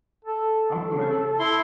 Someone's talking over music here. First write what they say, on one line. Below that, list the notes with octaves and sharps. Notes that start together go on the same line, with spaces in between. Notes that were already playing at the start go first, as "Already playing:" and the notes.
I'm familiar.
A4
A4
E4 C6